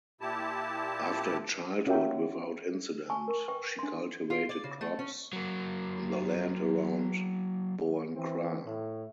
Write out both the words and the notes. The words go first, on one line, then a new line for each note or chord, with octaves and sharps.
After a childhood without incident, she cultivated crops on the land around Boankra.
A#2 E4 G4 A5
C#4 F4 F#4 A#4 E5 G5
G#5 A5 C#6
A#4 C#6
B4 G5 C#6
D4 C6
F4
D5
C#3
A3
C#4
F#3 A#3
E3 C4
A2